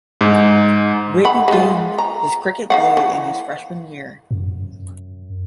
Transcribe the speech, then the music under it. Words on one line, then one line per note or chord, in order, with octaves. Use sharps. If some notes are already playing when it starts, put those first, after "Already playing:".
Whitby gained his cricket blue in his freshman year.
G#2
F#5 B5
G#3 F4
A#5
D#4 F5 F#5
E3
F#2